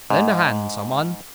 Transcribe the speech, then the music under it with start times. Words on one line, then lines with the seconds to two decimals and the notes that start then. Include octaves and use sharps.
Lend a hand, some one.'
0.10 G#2